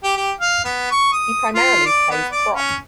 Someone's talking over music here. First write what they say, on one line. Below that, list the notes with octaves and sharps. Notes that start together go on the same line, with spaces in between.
He primarily plays prop.
G4
G4
F5
B3
C#6
D#6
F4
D5
B3
D5
C#4